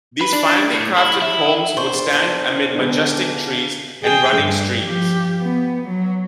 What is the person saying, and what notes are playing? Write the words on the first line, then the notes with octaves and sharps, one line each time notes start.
These finely crafted homes would stand amid majestic trees and running streams.
B4
D4
A2
E4
E4
E2 A#2 D4 C5 C#6
D3 G#3 B3
G#4 G5
G2
F3 G4
B3
F#3